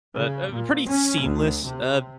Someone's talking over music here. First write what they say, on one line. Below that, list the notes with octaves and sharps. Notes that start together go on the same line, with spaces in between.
But, um, pretty seamless, um,
C#3
A#2
C#4
D2
C3